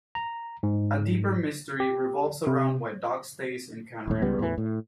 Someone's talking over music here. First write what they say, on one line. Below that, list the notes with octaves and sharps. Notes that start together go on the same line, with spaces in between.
A deeper mystery revolves around why Doc stays in Cannery Row.
A#5
G#2
G4
C3
D#1 A2
C#2 G3 B3
E2 A2 D#3 E3
A2